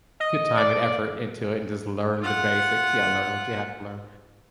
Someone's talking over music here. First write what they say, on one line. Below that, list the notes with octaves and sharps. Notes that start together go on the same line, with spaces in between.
Put time and effort into it and just learn the basics, yeah, learn what you have to learn.
D#5
D5
F4 F#5